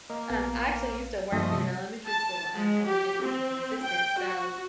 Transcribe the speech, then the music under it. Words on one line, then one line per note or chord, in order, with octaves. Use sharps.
Um, I actually used to work in an elementary school, um, as an education assistant, so,
A#3 D#5
A#1 B3 F5
G2 F3 A3 A#3 A4 D#5
C3 G3
A5
G#3
G4
C4
G5
F#4